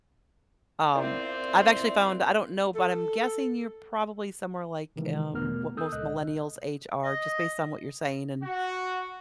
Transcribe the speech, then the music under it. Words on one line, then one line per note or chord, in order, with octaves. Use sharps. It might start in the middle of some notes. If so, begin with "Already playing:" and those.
Um, I've actually found I don't know, but I'm guessing you're probably somewhere, like, um, what most millennials age are just based on what you're saying and
C4 E4 F4 A#4 C5 D5 E5
A4
C3 D#3 E3 G#3
E2 B2 A3 B3 A#4 F6
A4 D#6 E6 G6
C#2 A#2 D#5 F#6
D#5
F#4